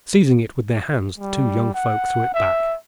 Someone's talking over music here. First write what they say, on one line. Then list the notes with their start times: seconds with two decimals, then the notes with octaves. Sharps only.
Seizing it with their hands, the two young folk threw it back.
1.18 G3
1.74 F#5
2.34 E5